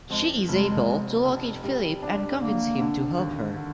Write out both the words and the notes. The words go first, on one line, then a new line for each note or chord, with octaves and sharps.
She is able to locate Philippe and convince him to help her.
F2 G#3
F1 G#3
F1
F1
G3
D4
D3 A#3
D3
D#2
D3